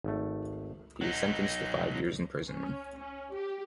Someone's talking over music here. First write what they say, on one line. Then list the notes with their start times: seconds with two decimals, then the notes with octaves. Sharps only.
He is sentenced to five years in prison.
0.04 G#1 A3
1.01 F#3 D#4
2.49 C#4
2.98 C#4
3.33 G4